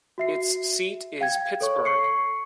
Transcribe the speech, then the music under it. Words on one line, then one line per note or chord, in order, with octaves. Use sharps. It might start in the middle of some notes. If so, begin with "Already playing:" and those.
Its seat is Pittsburg.
F#4 E5 C7
F5 G5 G#6
A4 C#5 C#6
C#6 C7 C#7